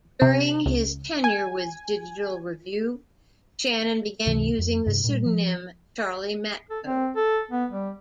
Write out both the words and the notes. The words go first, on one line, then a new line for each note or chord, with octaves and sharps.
During his tenure with "Digital Review", Shannon began using the pseudonym "Charlie Matco".
C3
C#2
G#5
C#2 G2 C3 E3
F2
G2 C3
A#2 G3
F3
A4
C4
A4
B3
G3